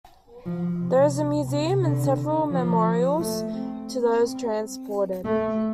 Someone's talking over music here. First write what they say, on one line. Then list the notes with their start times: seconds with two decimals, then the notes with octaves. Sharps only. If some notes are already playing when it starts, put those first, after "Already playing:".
There is a museum and several memorials to those transported.
0.46 F3
0.80 C3
1.48 C3
1.83 D3
2.51 F3
3.20 A3
3.53 C4
4.22 C4
5.24 A3